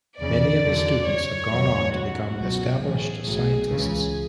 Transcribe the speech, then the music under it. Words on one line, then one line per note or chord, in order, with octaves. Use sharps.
Many of his students have gone on to become established scientists.
E2 C#3 E3 D5
E2 D3 F#3
F#2 E3 C#5
E2 D3 F#3
F#2 C#3 F#3 F#4
C#2 B2 F#3
B1 A2 E3 G#4
B1 A2 F#3
C#2 C#3 E3